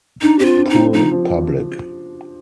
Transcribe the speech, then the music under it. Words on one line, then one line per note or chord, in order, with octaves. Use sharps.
Poor public!
D4 D#4
C4 G4
F4
D4
D#4
C4
F3 D#4
F3